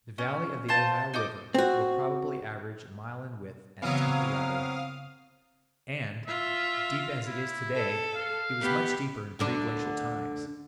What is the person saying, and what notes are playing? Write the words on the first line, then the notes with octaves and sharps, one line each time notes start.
The valley of the Ohio River will probably average a mile in width at its upper level and, deep as it is to-day, it was much deeper in preglacial times.
C#4
F4 C5 A5
D#4 D#5 D6
C4 F#4
C#3 E3 F#3 B3 C4 F5 D#6 F6
F4 E5
E4
A4
F5
B3 G4
D2 D3 D4